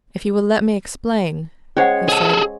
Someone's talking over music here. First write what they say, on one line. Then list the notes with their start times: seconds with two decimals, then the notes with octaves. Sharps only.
"If you will let me explain," he said.
1.77 G#3 C#4 C5 C#5 F#5
2.08 G#4 A4